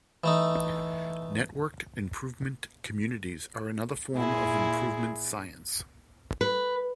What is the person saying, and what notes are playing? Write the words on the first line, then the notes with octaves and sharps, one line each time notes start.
Networked Improvement Communities are another form of Improvement Science.
E3 A3 D#4
A#2 E4 G#4
B4